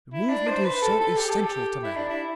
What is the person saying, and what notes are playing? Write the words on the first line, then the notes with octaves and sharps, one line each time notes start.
Movement is so essential to matter!
E4
D4
C5
B4
A4
A4
G4
A4
G4
E4
D4
E4